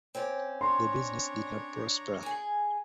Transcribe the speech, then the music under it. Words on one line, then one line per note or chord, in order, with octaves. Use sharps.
The business did not prosper.
C4 C#4 D5
D4 C#5 A#5 C6
G#4 G#5